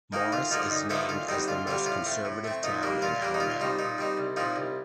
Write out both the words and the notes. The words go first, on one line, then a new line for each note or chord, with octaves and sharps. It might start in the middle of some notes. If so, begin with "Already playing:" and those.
Morris is named as the most conservative town in Alabama.
D#3 A#3 D#4
D2 F4
D3 F3 A#3 D#4 F4
D2 D#4
D3 F3 A3 A#3 D#4 A4
D2 F4
D3 G3 C4 D#4
D2 F4
D3 G3 C4 F4
A2 F4
A3 C4
A2
A3 C4
A#2 D#4
G3 A#3 D4
A#2 F4
G3 A#3 D4
D#4
A#2 F4
G3 C4 D#4
A#2 D#4
G3 C4 D#4
C2
A#2 F3 C4 D#4
C2